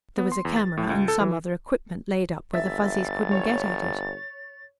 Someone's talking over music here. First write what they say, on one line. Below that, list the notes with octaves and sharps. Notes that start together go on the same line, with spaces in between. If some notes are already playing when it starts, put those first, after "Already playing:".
There was a camera and some other equipment laid up where the Fuzzies couldn't get at it.
B3
C6
E2
A6
A2
C#2
A4
E3
G1 E5 A6
C#5